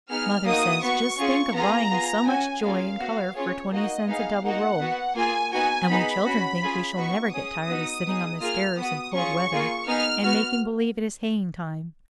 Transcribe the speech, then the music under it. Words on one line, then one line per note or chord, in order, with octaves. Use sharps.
Mother says just think of buying so much joy and color for twenty cents a double roll; and we children think we shall never get tired of sitting on the stairs in cold weather and making believe it is haying time.
B3 D#4 G#4 F6
A#3 D#4 F#4 D#6
B3 F#4 C#6
C#4 F4 G#4
B3 F4 G#4 A#5
B3 F4 G#4
C#4 F#4 G#5
A#3 C#4 F4 G#4 F5
B3 F#4
C#4 F4 G#4 C#5
A#3 D#4 F#4 D#5
B3 D#4 G#4 F5
A#3 D#4 F#4 F#5
B3 F#4
A#3 F4 G#4 G#5
B3 D#4 F#4 G#5
B3 D#4 G#4 B5
C#4 F#4
C#4 F4 G#4
B3 D#4 F#4 C#6
C#4 G#4 D#6
B3 D#4 F#4
B3 D#4 G#4
A#3 F4 G#4 F6
B3 F#4 D#6
C#4 F4 G#4 C#6
A#3 F4 G#4
B3 D#4 G#4 F6
B3 F#4 F6